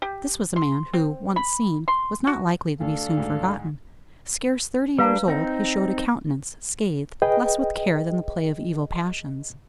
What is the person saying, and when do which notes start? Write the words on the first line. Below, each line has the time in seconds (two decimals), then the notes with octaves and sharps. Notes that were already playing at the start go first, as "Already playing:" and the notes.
This was a man, who, once seen, was not likely to be soon forgotten. Scarce thirty years old, he showed a countenance, scathed, less with care than the play of evil passions.
0.02 G4
0.56 C6
0.93 C4
1.36 B5
1.88 C6
2.27 F#4
2.80 D2 D4 A4 F5
3.17 D2 G#2
4.98 G3 D4 B4 F5 A#5
5.28 C4 D#4
7.22 G#4 B4 D#5 G5